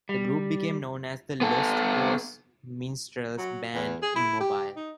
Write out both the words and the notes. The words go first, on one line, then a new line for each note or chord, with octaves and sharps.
The group became known as the "Lost Cause Minstrels Band" in Mobile.
G3
B3 A4
F#3
E2
G#4
E4
G4
D#4